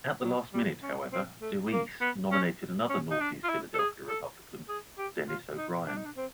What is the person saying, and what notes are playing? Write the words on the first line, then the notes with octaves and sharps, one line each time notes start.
At the last minute, however, DeWeese nominated another Northeast Philadelphia Republican, Dennis O'Brien.
F#3
G3
C#4
C4
A3
A#3
B3
C#4
C#4
D#4
D4
F4
E4
A4
G#4
A4
G#4
G4
F4
D#4
D4
D#4
D4
C4